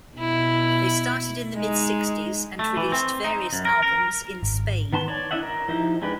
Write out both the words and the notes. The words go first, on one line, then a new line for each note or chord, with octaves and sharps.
They started in the mid sixties and released various albums in Spain.
B2 E4
G#3 D#4
A3
E3
C4
D#4
F#2
A#4
A#4
G#1
D#3 B3 A5 C6
C#5 D5
D4 E4 D#5 E5 F#5
A#4
F3 D#4 E4 G4
G#3 D4 G4 B4